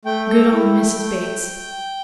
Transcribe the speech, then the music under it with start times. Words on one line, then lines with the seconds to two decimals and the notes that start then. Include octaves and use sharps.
Good old Mrs. Bates.
0.05 A3 G5
0.29 A4
0.53 E4
0.75 A3
0.98 A3